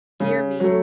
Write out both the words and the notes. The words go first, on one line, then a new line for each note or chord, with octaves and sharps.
Dear me!
C#3
F#3 A3